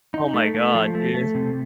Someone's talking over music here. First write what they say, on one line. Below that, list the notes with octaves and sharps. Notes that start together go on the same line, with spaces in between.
Oh my god, dude.
D#4
A3
A3
F3
A3
A3
C3